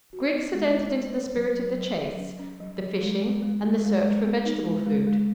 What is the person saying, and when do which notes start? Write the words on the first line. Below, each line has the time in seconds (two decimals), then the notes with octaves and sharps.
Griggs had entered into the spirit of the chase, the fishing and the search for vegetable food.
0.13 F#4
0.33 B3
0.54 G#3
0.75 C#5
0.95 C#5
1.16 C#5
1.36 F#3
1.57 F#3
1.78 F#3
1.98 F#3
2.19 C#4
2.39 C#4
2.60 F#3
2.81 F#3
3.01 G#3
3.22 G#3
3.42 G#3
3.63 G#3
3.84 G#3
4.04 G#3
4.24 B3
4.45 D#4
4.66 G#3
4.86 G#3
5.07 G#3